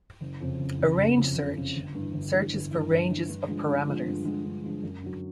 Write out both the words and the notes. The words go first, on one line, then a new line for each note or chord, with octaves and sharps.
A range search searches for ranges of parameters.
F#1
F2 C#3
F#1
F2 C#3
F#1
F2 C#3
F#1
F2 C#3
G1
G2 E3
G1
G2 E3
G1
G2 E3
G1
G2 E3
G2
D3 F3 G#3
G2
D3 F3 G#3
G2
D3 F3 G#3
G2
D3 F3 G#3
F#2
D3 F#3